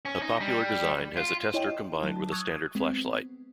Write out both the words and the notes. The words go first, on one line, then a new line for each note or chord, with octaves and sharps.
A popular design has the tester combined with a standard flashlight.
C#4
D#4
G3
F4
E4 C#5 D#5 G5
F#3 A5
C#6 D#6 E6 F#6 G#6
G#3 B3 C4